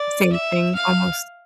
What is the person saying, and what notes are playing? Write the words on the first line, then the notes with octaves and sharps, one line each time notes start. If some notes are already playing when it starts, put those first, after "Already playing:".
same thing almost
Already playing: D5
E5
F5